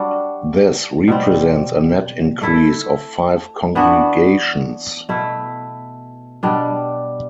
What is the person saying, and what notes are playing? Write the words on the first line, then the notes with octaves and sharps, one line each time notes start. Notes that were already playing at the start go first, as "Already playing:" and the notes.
This represents a net increase of five congregations.
Already playing: G3 D4 F#4
B2 G3 C4
A3 E4 A4
E3 B3 D4 F#4
B2 A3 E4
B2 G3 D4